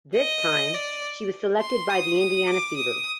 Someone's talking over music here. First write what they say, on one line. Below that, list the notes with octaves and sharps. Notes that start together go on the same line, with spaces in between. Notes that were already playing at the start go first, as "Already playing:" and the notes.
This time, she was selected by the Indiana Fever.
D#5
D5
C6
D#6
D#6
D6
D#6